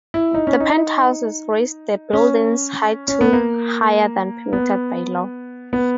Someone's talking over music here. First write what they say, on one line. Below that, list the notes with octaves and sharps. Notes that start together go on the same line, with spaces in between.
The penthouses raised the building's height to - higher than permitted by law.
E4
D#4
C#4
D#4
C#4
C#4
B3
A#3
B3
B3